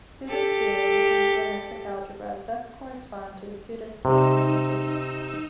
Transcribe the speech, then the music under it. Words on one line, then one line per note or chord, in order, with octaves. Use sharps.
Pseudoscalars in geometric algebra thus correspond to the pseudoscalars in physics.
G4 A4
C3 D#4 E6